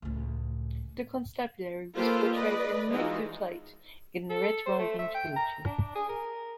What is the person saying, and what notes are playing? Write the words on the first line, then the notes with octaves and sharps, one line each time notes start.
The Constabulary was portrayed in a negative light in the Red Riding trilogy.
C#2 A2
A#3 F4 G4 A4 B4 C5
B4 D5 D#5
E3 G#3 D#4 F4 F#4
A4
C5
A3
E5
G5
A#5
D4
G#4
A#4